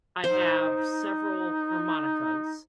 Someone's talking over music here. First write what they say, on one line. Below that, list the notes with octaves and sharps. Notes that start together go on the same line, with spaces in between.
I have several harmonicas,
D#4 C5